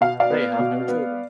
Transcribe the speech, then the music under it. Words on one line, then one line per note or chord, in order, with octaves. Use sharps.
They have no children.
B2 F5
D5 F5
B3
B2
B3